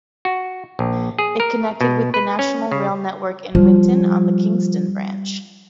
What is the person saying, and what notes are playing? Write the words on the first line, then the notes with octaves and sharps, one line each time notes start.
It connected with the national rail network in Winton on the Kingston Branch.
F#4
A#1
G#4
A#4
B2
B4
C#4
C#3
F3 G3